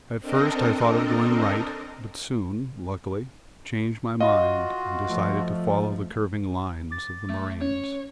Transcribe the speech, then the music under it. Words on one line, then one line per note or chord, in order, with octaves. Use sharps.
At first I thought of going right, but soon, luckily, changed my mind and decided to follow the curving lines of the moraines.
C4 D4 A4 A#4 D#5
F4 F#4 D#5 F5
F3 A3
D6 A6
A3
C#4 C#5